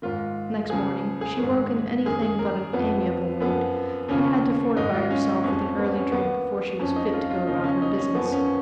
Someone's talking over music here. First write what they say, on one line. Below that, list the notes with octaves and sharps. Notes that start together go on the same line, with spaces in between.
Next morning she woke in anything but an amiable mood, and had to fortify herself with an early drink before she was fit to go about her business.
G#2 D#3 F4
C#2 C#3 F3 G#4
G#4
G#2 D#3
F#2 D#3 G#4
G#4
A#4
F2 F3 B3
F#2 F3 B3
D#2 C#3 F3 C#4
G#2 D#3 D#4
F4
C#4
F2 F3 C#4
B3
C#4
D#2 D#3 B3
F2 F3 C#4
D#4
F4
F4
D#2 C#3 F3 D#4
C#4
D#4
C#4
F#2 F3 B3
C#4